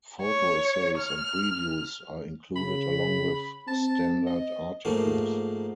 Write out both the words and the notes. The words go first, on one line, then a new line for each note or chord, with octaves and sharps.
Photo essays and reviews are included along with standard articles.
C#5
F6
C#3 B5
C4 A5
D#5
G#2 F3 A3 A#3